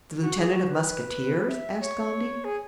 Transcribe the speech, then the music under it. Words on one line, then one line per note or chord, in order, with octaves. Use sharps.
"The lieutenant of musketeers?" asked Gondy.
F#4
G#4
F#4
B4
E5
C#5
G#4